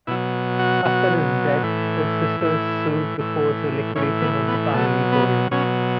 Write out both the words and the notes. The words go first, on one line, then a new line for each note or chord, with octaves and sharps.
After his death, his sisters sued to force a liquidation of the family's holdings.
B2 F#3 E4
F#4
B2 F#3
A2 E3
A2 E3 E4
A2 E3
A2 E3 C#4
B3
B3
B2 F#3 A3
B3
B2 F#3 C#4